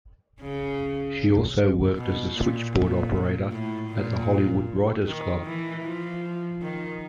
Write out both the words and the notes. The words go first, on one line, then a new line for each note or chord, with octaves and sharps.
She also worked as a switchboard operator at the Hollywood Writers' Club.
C#3
B2
A#2
A#2
A2
A#2
D#3
E3
F3
D#3